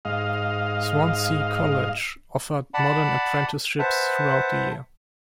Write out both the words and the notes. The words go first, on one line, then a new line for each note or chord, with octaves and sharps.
Swansea College offered modern apprenticeships throughout the year.
G#2 D#5 F5
D5 F#5 A5 B5
B4 C5 E5 F#5 A5